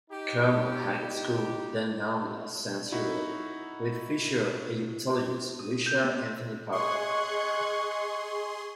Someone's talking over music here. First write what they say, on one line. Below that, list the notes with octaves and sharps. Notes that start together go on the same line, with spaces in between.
Carmel High School, then known as Saint Cyril, with future Egyptologist Richard Anthony Parker.
D#4 G4
D#4 E4 F#4
D#6
G6
B3
G#4 D#5 C6 C#6 F#6 G#6 C#7